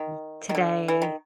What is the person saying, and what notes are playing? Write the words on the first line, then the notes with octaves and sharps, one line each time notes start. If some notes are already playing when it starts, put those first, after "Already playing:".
Hmm, today
Already playing: D#3
D#3
D3
E3
D#3